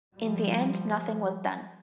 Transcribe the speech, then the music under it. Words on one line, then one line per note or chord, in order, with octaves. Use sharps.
In the end nothing was done.
F3 G3